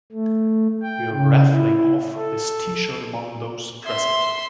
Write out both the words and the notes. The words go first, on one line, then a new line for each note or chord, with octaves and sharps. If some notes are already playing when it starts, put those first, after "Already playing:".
We’re raffling off this t-shirt among those present.
A3
G5
C#3
E4
A4
E5 C6